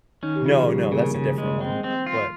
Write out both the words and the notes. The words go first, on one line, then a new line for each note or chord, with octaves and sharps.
No, no, that's a different one, but
D#3 C#4 D#4
G4
C#3 F3 F4
G#4
C#3 G3 G4
C#3 A#3 A#4
C#3
G#3
C4
C4
F4